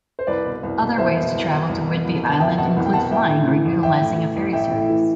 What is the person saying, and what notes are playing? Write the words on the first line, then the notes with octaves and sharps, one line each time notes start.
Other ways to travel to Whidbey Island include flying or utilizing a ferry service.
C5
C2 B4 D5
B2
C2
B2
C2 C5 E5
B2
C2
B2
C2
B2
C2
B2
A5
C2 E5 G5
B2 F#5 A5
C2
G5
B2 F#5 A5
A1 E5 G5
A2
E3
A1
A1 E5 G5
A2
E3
A1
A1 E5 G5
A2
E3